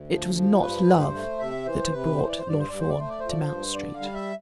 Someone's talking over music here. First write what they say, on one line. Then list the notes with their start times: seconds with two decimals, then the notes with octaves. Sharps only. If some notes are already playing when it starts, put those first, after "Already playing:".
It was not love that had brought Lord Fawn to Mount Street.
Already playing: D2
0.09 F3
0.35 F3
0.61 G2 B4
0.87 G2
1.00 C5
1.14 A3
1.39 C3 E5
1.66 E3 C5
1.92 C3 B4
2.17 E3 C5
2.29 D5
2.38 C5
2.44 G2
2.49 D5
2.59 C5
2.69 G2 D5
2.80 C5
2.89 D5
2.97 A3 C5
3.09 D5
3.20 F3 C5
3.30 D5
3.41 C5
3.49 G2
3.74 D3 D5
3.94 F5
4.01 G3
4.14 E5